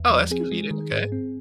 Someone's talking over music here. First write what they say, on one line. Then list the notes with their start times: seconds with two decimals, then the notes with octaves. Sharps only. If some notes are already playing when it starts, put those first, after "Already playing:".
Oh, that's convenient, okay.
Already playing: E2
0.10 F3
0.31 C4 G#4
0.52 G#3
0.71 D#3
0.92 G#2
1.12 C4